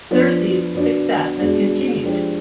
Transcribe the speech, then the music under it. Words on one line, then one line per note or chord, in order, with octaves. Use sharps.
"Serse"'s success has continued.
F3 B3 D4 F4 C5
B2 B3 D4
B2 G#3 D4
F3 G#3 D4 G4 C5